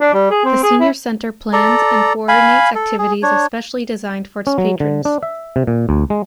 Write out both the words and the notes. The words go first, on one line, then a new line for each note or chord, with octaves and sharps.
The Senior Center plans and coordinates activities especially designed for its patrons.
D4
G3
G#4
C4
G#4
E4
A4 D5 A#5
F5 G#5 B5
A4
G#4
D4 C#5
C#4
F#3
D3
D4
E5
C3
A#2
D2
G#3